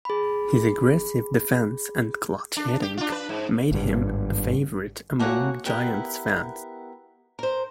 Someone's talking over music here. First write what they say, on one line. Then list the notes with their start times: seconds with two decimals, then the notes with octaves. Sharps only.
His aggressive defense and clutch hitting made him a favorite among Giants fans.
0.05 G#4 B5
2.57 D4
2.82 G4
2.97 D4 F4
3.10 D4 B4
3.29 G#2
3.71 G#1 G2
5.19 A3 A#3 F#4 C#5 F#5 G#5
5.66 B3 E4 G4 A#4 F#5
7.39 A#4 C5